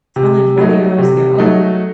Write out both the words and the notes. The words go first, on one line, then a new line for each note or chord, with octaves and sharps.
telling forty-year-olds they're old.
C3
F#3 A3 D#4
C3
F#3 A3 D#4